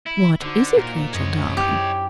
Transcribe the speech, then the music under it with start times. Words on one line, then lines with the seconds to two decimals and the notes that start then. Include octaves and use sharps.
'What is it, Rachel, darling?'
0.06 E4
0.42 D3 D#4 F#4 C5
0.76 A#2 A#4
1.13 F#2 C#5 D#5
1.57 E4 G4